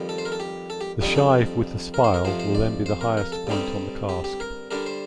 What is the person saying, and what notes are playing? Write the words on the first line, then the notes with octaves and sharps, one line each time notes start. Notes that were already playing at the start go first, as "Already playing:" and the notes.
The shive with the spile will then be the highest point on the cask.
Already playing: F2 D#3 G3
A4
C5
A#4
A4
G4
A4
G4
F2 D3 G3 C4 D#4 G4
A4
A#4
C5
A#4
F2 C3 F3 C5
C5
D5
C5
A#4
A#4
A4
G2 D3 G3 C4 D#4
G4
G4
A#4
D3 G3 D4 A#4
C5